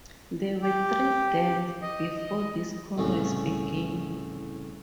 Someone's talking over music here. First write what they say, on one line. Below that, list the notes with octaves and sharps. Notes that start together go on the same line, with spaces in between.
There were three deaths before this Congress began.
G4
D#5
D#5
C2 A2 C#3 C#4